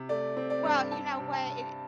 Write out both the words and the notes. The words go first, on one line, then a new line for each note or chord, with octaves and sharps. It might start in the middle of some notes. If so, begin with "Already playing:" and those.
Well, you know what, i
Already playing: C3
A3 D5
C4
D5
G2
C4 A5
C3
A5
C3